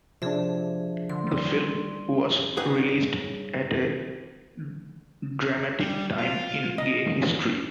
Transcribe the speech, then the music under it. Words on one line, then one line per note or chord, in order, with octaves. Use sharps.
The film was released at a dramatic time in gay history.
C3 F3 D4 G#4 E5
D3 C6
G3
G2 D#4 G#4 B4 C#5 F#5
G3
F4
D#5